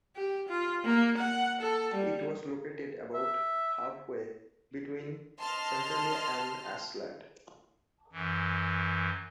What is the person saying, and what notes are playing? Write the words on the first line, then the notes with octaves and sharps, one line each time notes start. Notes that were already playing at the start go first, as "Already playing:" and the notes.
It was located about halfway between Centralia and Ashland.
G4
F4
A#3
F#5
A4
G3
E5
D#5 A5 C6 F6
F#2 E3